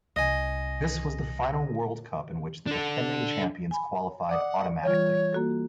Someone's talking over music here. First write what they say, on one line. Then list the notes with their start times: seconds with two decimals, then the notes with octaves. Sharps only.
This was the final World Cup in which the defending champions qualified automatically.
0.16 C2 D#5 G#5
2.67 D4 A4
3.71 G#5 B5
4.29 D5 F#5 D6 D#6
4.83 E3 G3 F4 C#5
5.33 A#3 F#4 A4